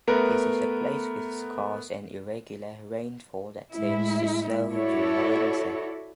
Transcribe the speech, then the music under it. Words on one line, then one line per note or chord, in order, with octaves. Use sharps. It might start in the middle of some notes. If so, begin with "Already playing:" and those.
It is a place with scarce and irregular rainfall that turns to snow during winter.
A3 B3 A#4 B4
A2 G#3 E4
E4 F#4 A4 C#5 D5